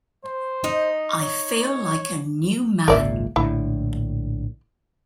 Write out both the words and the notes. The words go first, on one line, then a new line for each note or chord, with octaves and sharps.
I feel like a new man.
C5
D#4 D#5
C#5
G#1 C#2 A#2 A#4 D5 E5
A#1 A2 D3 E4